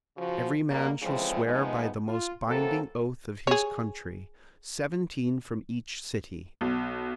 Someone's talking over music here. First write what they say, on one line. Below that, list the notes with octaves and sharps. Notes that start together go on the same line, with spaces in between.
Every man shall swear by the most binding oath of his country, seventeen from each city.
C#3 F3 F#4
D#2 B2 G3 A#3
D2 C#3 E3 F3 G#3 C4
G#2 C3 F3 G#3 B3 D#4
F4
E3 F#3 A#3 C4 A4
G#4 C#5
B1